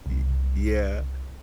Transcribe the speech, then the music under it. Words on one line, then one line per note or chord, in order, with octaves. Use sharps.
Y yeah.
C2